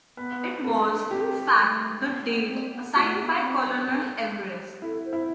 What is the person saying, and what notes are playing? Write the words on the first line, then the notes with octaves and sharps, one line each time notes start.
It was, in fact, the date assigned by Colonel Everest.
B3 B4
D4 A4
C4 G4
A3
B3
B3
C4
B3
A3 F#4
B3
D4
C4
D4
G4
E4 A4
C5
E4